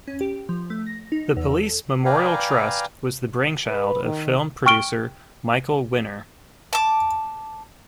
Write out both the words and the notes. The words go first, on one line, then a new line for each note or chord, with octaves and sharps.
The Police Memorial Trust was the brainchild of film producer Michael Winner.
C#4
G4
F3
A3
A#6
D#4
E2
A4
B4 D5 F5 G5 G#5 A#5
B4
D#3
G5 C#6 F6 D7 G7
A5 D6